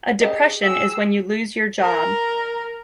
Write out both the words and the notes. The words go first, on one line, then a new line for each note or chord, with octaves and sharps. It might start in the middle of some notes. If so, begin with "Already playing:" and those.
A depression is when you lose your job.
G4 G#4 D#5
G#4 G5 E6
A#4